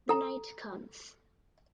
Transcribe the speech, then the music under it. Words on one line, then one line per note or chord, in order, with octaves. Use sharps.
The night comes.
A4 A#5